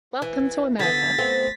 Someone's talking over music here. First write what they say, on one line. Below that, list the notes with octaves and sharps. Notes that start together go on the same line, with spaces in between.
Welcome to America.
E3
D3 B3 A6 B6
A3 B3 C4